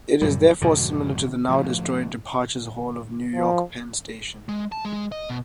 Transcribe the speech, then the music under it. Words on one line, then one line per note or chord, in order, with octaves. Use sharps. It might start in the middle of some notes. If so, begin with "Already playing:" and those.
It is therefore similar to the now-destroyed departures hall of New York Penn Station.
F#2 A#2 G3
F2 G#2 B2 D3
A2 F3
F3
G#3
A5
G#3
D#5
B2